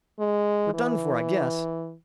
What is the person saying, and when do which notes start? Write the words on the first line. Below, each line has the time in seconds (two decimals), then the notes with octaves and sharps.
"We're done for, I guess."
0.19 G#3
0.74 E3